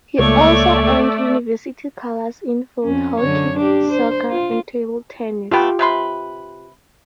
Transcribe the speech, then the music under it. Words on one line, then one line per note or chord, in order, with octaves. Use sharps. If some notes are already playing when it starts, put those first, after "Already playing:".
He also earned university colors in field hockey, soccer, and table tennis.
C#2 A3 A#3 C#5 D5 E5 C#6
F2 C#4
F#2 D3 C#5
D4 G4
C5
F4
A3 B3 F4 G4 G5
C3 B4 C6